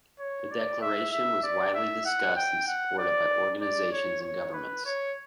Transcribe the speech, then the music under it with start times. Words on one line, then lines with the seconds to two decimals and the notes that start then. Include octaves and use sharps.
The Declaration was widely discussed and supported by organisations and governments.
0.19 C#5
0.51 D5
0.82 E5
1.13 E5
1.43 D5
1.75 E5
2.05 F#5
2.36 G5
2.68 F#5
2.99 D5
3.61 D5
3.92 C#5
4.23 C#5
4.53 B4
4.85 C#5